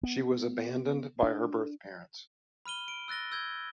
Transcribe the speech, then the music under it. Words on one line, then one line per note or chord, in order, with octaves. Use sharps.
She was abandoned by her birth parents.
B3
D4
B5 F6 D#7 G7
D7
E6 F#6 A6 A#6 G7
E6 G6 G#6 G7